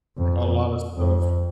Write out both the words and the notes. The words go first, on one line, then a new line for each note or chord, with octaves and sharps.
like, a lotta stuff
F2
F2